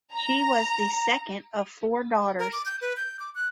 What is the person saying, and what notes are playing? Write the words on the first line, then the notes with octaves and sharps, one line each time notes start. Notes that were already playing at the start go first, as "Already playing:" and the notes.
She was the second of four daughters.
A#5
A#4
D6
G6
B4
G6
D6
F#6